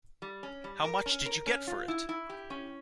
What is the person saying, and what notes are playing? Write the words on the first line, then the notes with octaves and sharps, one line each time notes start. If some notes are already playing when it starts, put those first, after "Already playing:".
How much did you get for it?
G3
C#4
G3
A#4
C#4
A#4
C#4
F4
E4
E4
G4
C#4